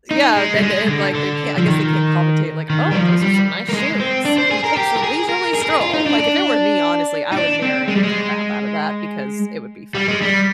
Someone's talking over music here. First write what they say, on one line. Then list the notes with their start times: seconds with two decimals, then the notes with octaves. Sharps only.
Yeah, then the and, like they can't I guess they can't commentate like, "Oh, those are some nice shoes. He takes a leisurely stroll," like if it were me, honestly, I would narrate the crap out of that because it would be funny,
0.11 D#4
0.37 G#3
0.56 G3
0.63 G#3
0.88 D3
1.15 D3
1.58 F3
1.67 D#3
2.70 D#3
2.91 G3
2.96 F3
3.22 G3
3.69 A#3
3.74 G#3
4.00 C4
4.25 D4
4.38 C5
4.51 G#4
4.64 A#4
4.77 G4
4.97 A#4
5.03 G#4
5.29 A#4
5.55 G#4
5.63 A#4
5.70 G#4
5.81 F4
5.94 D#4
6.06 D4
6.20 D4
7.32 D#4
7.36 D4
7.62 C4
7.88 G#3
7.96 G3
8.03 G#3
9.95 G3
10.08 G#3
10.22 G3